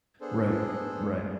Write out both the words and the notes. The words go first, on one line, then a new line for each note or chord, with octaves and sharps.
Right. Right.
B3 D4 G#4 A4 C5